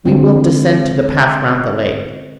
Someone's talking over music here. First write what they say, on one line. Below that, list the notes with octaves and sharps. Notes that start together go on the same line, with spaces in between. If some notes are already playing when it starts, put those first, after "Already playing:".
"We will descend to the path round the lake."
D3 G#3 C4